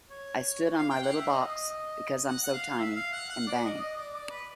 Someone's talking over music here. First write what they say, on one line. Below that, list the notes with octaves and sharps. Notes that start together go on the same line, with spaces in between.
I stood on my little box - because I'm so tiny - and bang!
C#5
F5
G5
F#5
F5
E5
D#5
F#5
F#5
F5
E5
F5
F#5
F#5
D5
D#5
D#5
D5
D5
B4